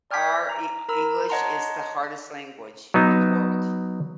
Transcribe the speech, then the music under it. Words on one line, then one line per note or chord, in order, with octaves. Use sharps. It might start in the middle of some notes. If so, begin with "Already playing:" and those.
Our E English is the hardest language in the world.
D5 F6 G6 G#6 B6
A#5
A#4 A#5 B5 E6
C#5 D#5 F#5 A5 A#5 C6
F#3 B3 D#4